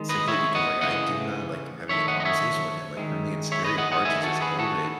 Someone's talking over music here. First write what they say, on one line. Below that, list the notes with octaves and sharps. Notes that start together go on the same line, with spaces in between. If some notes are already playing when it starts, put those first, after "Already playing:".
Simply because, like, I do not like having a conversation with him. Like, for me, it's very hard to just hold it,
Already playing: D#3 G#3
B4 D#5
C#5 E5
D#5 F#5
C#3 E3 A3 D#5 F#5
D#3 A3 C#5 E5
D#5 F#5
D#5
C#5 E5
D#3 G#3
C#5 E5
B4 D#5
D#5 F#5
D#5 F#5
D#3 A3 E5 G#5
F#4 A4
G#4 B4
F#4 A4